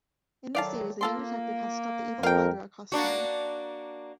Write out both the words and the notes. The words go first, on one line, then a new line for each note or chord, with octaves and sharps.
In this series, the young detective has to stop the evil Spydra across time.
A2 D#3 F#3 D5 F5 A5
A#3 F4 A4 C6
F2 A#4 F5 G5
A#3 D4 F#4